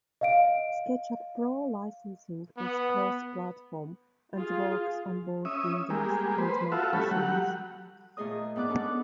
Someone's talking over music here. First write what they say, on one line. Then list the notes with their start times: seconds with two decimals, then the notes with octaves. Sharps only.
SketchUp Pro licensing is cross-platform and works on both Windows and Mac machines.
0.21 D#5 F5 D7
2.58 B3
4.35 F4 G#4
5.45 C#4 E5 D#6
5.90 G3 G#3 A#3
6.38 B4 C5
6.72 F4 F#4 A4 E5
6.93 G3 A3 C#4 A4 B5
7.11 F#3 G3 F#5
8.17 A#2 A3 G#4 D#5 D#6
8.56 G#2 B3 B4 D5 D6 F#6
8.69 B3 C#4 D4 A4
8.81 B4 D6